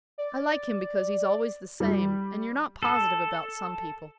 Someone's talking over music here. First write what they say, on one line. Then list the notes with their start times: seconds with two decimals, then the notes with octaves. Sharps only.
I like him because he's always the same, and you're not positive about some people.
0.18 D5
1.80 G3
2.83 A4